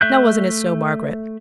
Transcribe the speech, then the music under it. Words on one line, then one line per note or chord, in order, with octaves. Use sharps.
Now wasn't it so, Margaret?'
A3 E5 F#6 G6